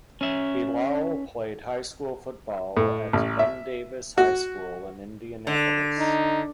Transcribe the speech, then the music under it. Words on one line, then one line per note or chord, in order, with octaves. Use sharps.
Bilal played high school football at Ben Davis High School in Indianapolis.
C#4 E5
A2
A1
E5
F#4
D3
D#4